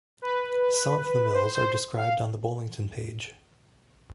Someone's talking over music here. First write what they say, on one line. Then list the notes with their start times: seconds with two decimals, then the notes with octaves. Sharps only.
Some of the mills are described on the Bollington page.
0.22 B4
1.34 C5
1.55 C5
1.97 F5